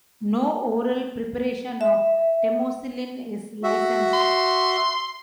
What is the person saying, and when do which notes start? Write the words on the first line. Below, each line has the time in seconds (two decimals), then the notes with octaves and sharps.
No oral preparation of temocillin is licensed.
1.81 E5
3.64 F#4 E5
4.13 C6